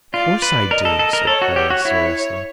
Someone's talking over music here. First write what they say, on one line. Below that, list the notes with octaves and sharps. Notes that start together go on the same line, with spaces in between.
"Of course I do," said Clara seriously.
F4 D5
B4
A#4 D#5
A4
A4
A#4
A4 C#5
F#4
G4 C#5
F#4
E4 C#5